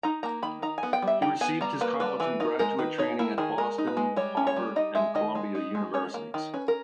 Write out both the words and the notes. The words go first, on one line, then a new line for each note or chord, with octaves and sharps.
He received his college and graduate training at Boston, Harvard, and Columbia universities.
D#4 A#5
A#3 A#5
D#3 B5
D#4 A#5
G#5
B3
G5
G3
E5
D#4 G5
B3 G#5
G3 A#5
A#3 B4
G3 B4
E3 B4
D#4 A#4
G#3 A#4
D#3 B4
D#4 C#5
A#3 E4
D#3 G#4
G#3 A#4
D#4
B4
G#3
G3 C#5
C#4
C#5
G3
D#4 D#5
G#3 E5
D#3 D#5
G#3
D#4
G#3
C#4 C#5
A#3
D#3
C#4 B4
A#4